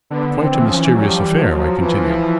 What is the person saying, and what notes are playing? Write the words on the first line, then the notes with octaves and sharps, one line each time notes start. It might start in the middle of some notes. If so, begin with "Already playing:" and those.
"Quite a mysterious affair!" I continued.
D3 B3
C4
E3
F3 C#4
E3
F#3 G3
F3
E3
F3 F#3
E3